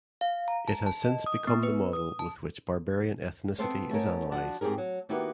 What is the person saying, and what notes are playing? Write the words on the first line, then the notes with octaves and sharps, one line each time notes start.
It has since become the model with which "barbarian" ethnicity is analyzed.
F5
A#5
A5
A5
D#5
D#6
B3
B4
D#6
A5
B3 C4 A4 C5 F5
A3 B3 C#4 A#4
F3 D4 F#4 F#5
G#2 C4 G4 G#4 A#4
F#3
D#3 A#3 B3 E4 F#4 G4